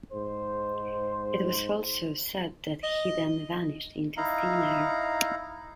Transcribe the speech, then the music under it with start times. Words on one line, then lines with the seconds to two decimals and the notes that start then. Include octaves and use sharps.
It was also said that he then vanished into thin air.
0.13 G#2 C5
2.83 D#5
4.17 D#4 E4 F5 A#5